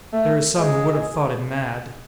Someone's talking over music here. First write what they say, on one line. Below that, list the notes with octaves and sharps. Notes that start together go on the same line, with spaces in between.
There are some who would have thought him mad.
A3
G#3